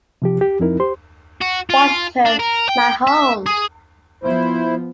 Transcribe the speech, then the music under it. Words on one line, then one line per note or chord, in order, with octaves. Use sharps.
Washington, my home.
C3 F3 G4
G4
F2 F3 C4 D#4 E4 A#4
G4 C5 C6
F#4
F4
D4
A#4
G5
E5
G#4
F3 B3 E4 C5